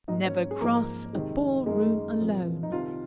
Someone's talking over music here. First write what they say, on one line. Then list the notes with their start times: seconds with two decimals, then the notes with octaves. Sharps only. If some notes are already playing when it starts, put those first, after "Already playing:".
Never cross a ball room alone.
0.08 G#2 F#3 A#3 D#4 D#5
0.25 C#4 C#5
0.51 G#4
0.60 G#2 F3 A#3 A#4
1.13 F2 C3 D#3 G#3
1.66 F#2 D#3 G#3 A#3 G#4
2.19 C2 A#2 F3 G#3
2.63 D#4
2.72 C2 C3 D#3 F4